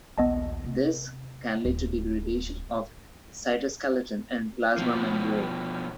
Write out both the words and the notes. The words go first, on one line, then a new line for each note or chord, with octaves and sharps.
This can lead to degradation of the cytoskeleton and plasma membrane.
A#1 D#2 B3 D#5 A5
C3
D1
B2 F3